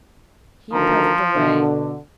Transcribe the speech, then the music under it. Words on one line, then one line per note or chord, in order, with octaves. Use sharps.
He puffed away.
D2 D#3 F3 A#5
B2 D3